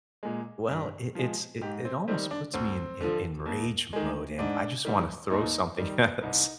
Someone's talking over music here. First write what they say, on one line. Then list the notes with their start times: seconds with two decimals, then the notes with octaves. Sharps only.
Well, it it's it it almost puts me in in in rage mode, and I just wanna throw something at it. So
0.23 A#2 G#3
0.69 G2
1.15 F3 G#3
1.62 G#2 G4
1.85 C4
2.08 D#3 G3 C4
2.31 D4
2.54 D2 C4
3.01 D3 F3
3.46 D#2
3.93 D#3 G#3
4.38 G#2 D4
4.85 D#3 G3
5.30 D#2 D#4
5.77 D#3 G3
6.22 C2 D#4